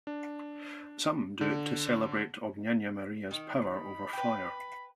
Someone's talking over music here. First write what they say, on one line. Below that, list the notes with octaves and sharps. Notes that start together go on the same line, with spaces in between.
Some do it to celebrate Ognyena Maria's power over fire.
D4
D3
D#3
B5
B4 G5